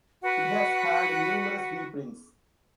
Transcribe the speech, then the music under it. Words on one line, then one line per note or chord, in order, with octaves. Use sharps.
It has had numerous reprints.
F#4 B4 F#5